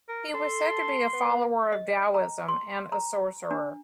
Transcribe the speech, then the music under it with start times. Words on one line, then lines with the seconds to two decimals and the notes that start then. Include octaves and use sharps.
He was said to be a follower of Taoism and a sorcerer.
0.09 A#4
0.34 A4 C6
1.13 B3
1.72 D#5
2.14 A#5
2.48 C6
2.92 A#5
3.51 D4